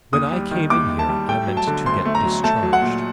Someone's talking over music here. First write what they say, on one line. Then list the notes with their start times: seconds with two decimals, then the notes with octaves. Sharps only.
When I came in here I meant to get discharged.
0.13 D#2 D#6
0.32 G3
0.51 D#3
0.70 D#2 D6
0.90 D#2
0.99 A5
1.09 G3
1.29 A3 G5
1.47 F#3
1.57 A5
1.67 D3
1.86 D2 C6
2.05 A3
2.15 A#5
2.25 F#3
2.44 A3 A5
2.63 F#3
2.73 F#5
2.82 A#2